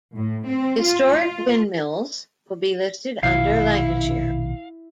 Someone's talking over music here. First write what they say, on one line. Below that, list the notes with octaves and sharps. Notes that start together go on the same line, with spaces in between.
Historic windmills will be listed under Lancashire.
A2
C4
F4
F4
A#1 B2 D#3 E4 F5